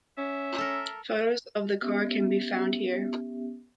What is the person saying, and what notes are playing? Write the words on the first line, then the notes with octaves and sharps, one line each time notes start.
Photos of the car can be found here.
C#4 E5
A4 A#4
B3 C#4 G4 E5